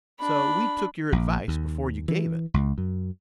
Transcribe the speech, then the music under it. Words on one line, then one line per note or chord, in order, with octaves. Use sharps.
So we took your advice before you gave it.
D4 B5
A#1
D#2
E3
C#2
F#2